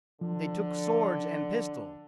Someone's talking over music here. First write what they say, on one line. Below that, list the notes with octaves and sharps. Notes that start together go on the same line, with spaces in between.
They took swords and pistols.
D3 F3